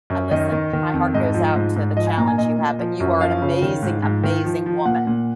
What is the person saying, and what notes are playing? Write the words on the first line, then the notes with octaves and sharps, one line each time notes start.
l listen, my heart goes out to the challenge you have, but you are an amazing, amazing woman.
F#2
D#3 D#5
D#3
D#3
F2
G#2 D#5
F3
G#2
G#2
F3 D#5
G#5
A#2 A#5
G#5
A#2 D#5
A#2
F3
F#2
F3 F5
C#3
D#3
G#2
G#2
D#3
F3
F3
A#2 F#5
A#2